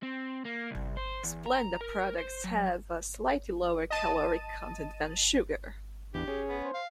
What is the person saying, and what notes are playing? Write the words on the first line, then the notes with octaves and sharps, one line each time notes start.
Splenda products have a slightly lower caloric content than sugar.
C4
A#3
C2
C5
E2
A#5
A#4
C5
F#3
D#5 A5 D#7
E2 D4 G4
C#4 G#4
B3
C5
F5